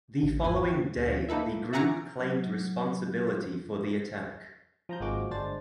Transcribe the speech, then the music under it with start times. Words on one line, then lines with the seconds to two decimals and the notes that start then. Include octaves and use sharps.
The following day the group claimed responsibility for the attack.
0.23 A1
0.43 G#1 E2 B3 G#5
0.64 C4
0.97 D2
1.29 A#3 D#4 A4 B4 E5
1.73 E5 F#5 G#5 A#5 C#6 D6
2.20 F#3
4.89 F3 A#5 G6
5.00 G#1 F3 G#3 A#3 F#4 D6
5.31 G1 G#3 D4 C5 A6